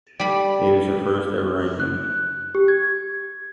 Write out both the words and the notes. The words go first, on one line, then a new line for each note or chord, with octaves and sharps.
It was her first ever ranking.
G3 B5
F#6
G4
G#6